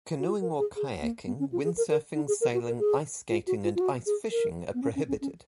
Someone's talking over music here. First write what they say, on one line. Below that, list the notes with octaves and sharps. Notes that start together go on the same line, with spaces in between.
Canoeing or kayaking, windsurfing, sailing, ice skating and ice fishing are prohibited.
F#4
F4
A#4
G#4
G#4
A#3
B3
C#4
F4
G#4
A#4
A#4
D#4
G#4
A#4
F#4
A#4
G#4
F4
F#4
F4
F4
F#4
G#4
A#4
B3
C#4
C#4
C#4
C#4